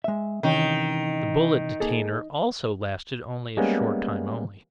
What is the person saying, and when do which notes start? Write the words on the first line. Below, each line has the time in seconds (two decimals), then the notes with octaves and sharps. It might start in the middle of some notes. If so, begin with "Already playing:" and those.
The bullet detainer also lasted only a short time only.
0.04 G#3 E5
0.43 C3 D#3 E3 C#4
1.80 A#3 G#4 A4
3.57 G3 G#3 A#3 B3 C#4